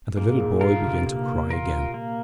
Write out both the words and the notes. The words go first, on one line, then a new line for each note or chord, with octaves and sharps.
And the little boy began to cry again.
G#2 A#3
A#2
A#2 F4 A#4
D3
C3
A#2 A#3
F4 A#4
A#3